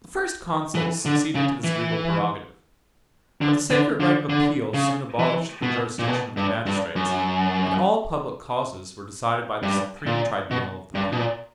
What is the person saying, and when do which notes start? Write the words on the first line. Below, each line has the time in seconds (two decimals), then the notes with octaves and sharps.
The first consuls succeeded to this regal prerogative; but the sacred right of appeal soon abolished the jurisdiction of the magistrates, and all public causes were decided by the supreme tribunal of the people.
0.75 E3
1.05 D3
1.35 C#3
1.64 E3
3.41 D3
3.70 D3
4.00 D3
4.30 D3
4.74 C#3
5.19 E3
5.62 B2
5.99 A#2
6.08 B2
6.37 G2
6.66 G2
6.96 F#2
9.63 G2
10.06 A#2
10.51 B2
10.95 G2
11.12 B2
11.17 A#2